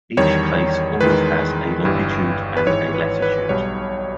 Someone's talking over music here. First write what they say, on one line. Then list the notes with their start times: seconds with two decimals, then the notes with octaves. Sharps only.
Each place always has a longitude and a latitude.
0.17 E2 D#3 G3 C#5
1.00 E2 D#3 G#3 B4
1.84 G1 G2 E3
2.57 B4
2.67 G#1 G#2 E3 C#5
2.94 B4
3.22 B4
3.49 B1 B2 G3 C#5